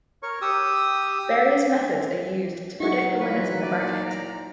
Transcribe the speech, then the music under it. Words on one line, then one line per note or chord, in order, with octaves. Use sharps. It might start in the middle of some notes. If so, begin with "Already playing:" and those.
Various methods are used to predict the winners in a bracket.
A#4 C#5 C#6
G4 D#6 E6
F#3 D#4 E4 F#4 C#6
A#2 B4
D5
A#5